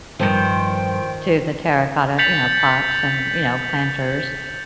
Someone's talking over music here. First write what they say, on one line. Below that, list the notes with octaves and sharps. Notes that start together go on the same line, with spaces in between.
to the terracotta, you know, pots and, you know, planters,
G2 D#3 F3 C5 G5
G6 A6 B6 C#7 F7 F#7